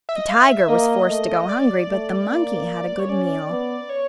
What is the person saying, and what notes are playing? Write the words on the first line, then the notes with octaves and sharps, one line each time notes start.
The tiger was forced to go hungry but the monkey had a good meal.
E5
D#5
F5
E5
A#3 D#5
A3
D5
A3
A#3
C#5
C#4 D5
B3
C#5